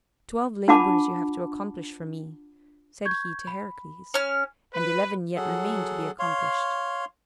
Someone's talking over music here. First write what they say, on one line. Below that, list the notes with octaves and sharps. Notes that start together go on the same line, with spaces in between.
"Twelve labors you have to accomplish for me," said he to Heracles, "and eleven yet remain to be accomplished."
D4 F4 F#5 A5 B5 D6
C#6 G6 G#6
B5
C#4 F6
B4
F#3 G#4 A4 F#5
C#5 F5 C6